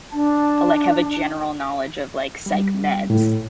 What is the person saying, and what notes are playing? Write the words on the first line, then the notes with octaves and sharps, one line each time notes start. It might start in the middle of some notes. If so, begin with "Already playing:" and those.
like have a general knowledge of like psych meds
D4 A5
G3
A2